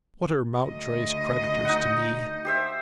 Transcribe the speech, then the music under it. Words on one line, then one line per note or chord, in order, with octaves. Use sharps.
What are Mountjoy's creditors to me?
D2 D#5
D#4 F#5
G4 C5 E5